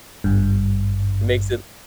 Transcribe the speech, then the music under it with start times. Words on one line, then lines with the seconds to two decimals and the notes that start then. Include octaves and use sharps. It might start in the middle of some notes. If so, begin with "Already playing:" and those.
It makes it
0.24 G#1 G2